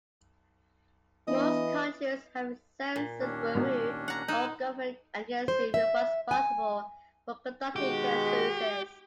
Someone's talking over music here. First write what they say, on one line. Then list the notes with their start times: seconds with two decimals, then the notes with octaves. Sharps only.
Most countries have a census bureau or government agency responsible for conducting censuses.
1.28 E3 B3 D4 D#5
2.96 A#2
3.20 D#2 C#4 D4
3.55 G#2 B2 D#3
4.08 F#5 A#5
4.28 D#4 G#5 E6 F#6
5.48 C5
5.74 E5
6.31 G#5
7.76 B2 D#3 G#3 F#4 G4